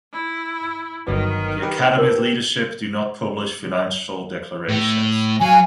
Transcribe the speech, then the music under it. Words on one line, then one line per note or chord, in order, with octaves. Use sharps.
The Academy’s leadership do not publish financial declarations.
E4
G1 D#3 F#3 B3
G4 B4 G5
D#4 A#4
A2 A3
F#3 F5 G#5